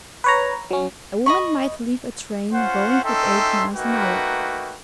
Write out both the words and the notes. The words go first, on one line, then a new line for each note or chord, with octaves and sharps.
A woman might leave a train going at eight miles an hour.
B4 C#5 A#5
F#3 C#4
D#5 B5 C#6
C#4 F4 C5 F#5
C#4 D#4 A4 E5 G5 C6
A3 A#3 D#4 F#4 B4 G5